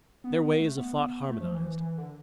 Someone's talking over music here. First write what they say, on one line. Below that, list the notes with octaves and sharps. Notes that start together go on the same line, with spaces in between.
Their ways of thought harmonized.
B3
B3
A3
B3
A3
F3
E3
F3
E3
E3
D3